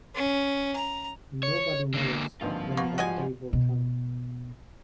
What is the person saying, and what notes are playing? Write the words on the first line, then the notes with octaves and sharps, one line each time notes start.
Nobody knows when that day will come.
C#4
A#5
C#5
D3 A#3
G#1 G2 D3 D#3 F3 A#3 F4
A#3 B3 F#5 C#6
G#2 G3 F#4 D#5 G#5
B2